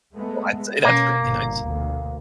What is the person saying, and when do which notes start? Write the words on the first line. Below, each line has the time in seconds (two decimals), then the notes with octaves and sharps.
Well, I'd say that's really nice.
0.15 G#3 A3 B3
0.84 B2 A#3 C#4
1.21 G1 A#2
1.59 D2 B2